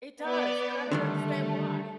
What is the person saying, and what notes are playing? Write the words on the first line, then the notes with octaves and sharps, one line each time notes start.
It does, but I don't understand why.
B3 D5
D3 D#3 G3 A3